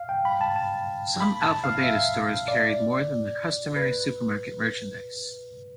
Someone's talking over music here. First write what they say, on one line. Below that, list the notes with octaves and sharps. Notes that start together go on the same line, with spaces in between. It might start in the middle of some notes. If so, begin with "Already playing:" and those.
Some Alpha Beta stores carried more than the customary supermarket merchandise.
Already playing: F5
G5
B5
A5
A5
B5
A5
F5
E5
D5
B4